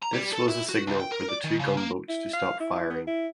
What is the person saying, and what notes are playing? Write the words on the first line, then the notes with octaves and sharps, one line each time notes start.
This was the signal for the two gunboats to stop firing.
A#5
G3
A4
E4
F#4
C#2
G5
A#4
D5
D#3
C#3
A#3
E4
F5
E4
B3
E4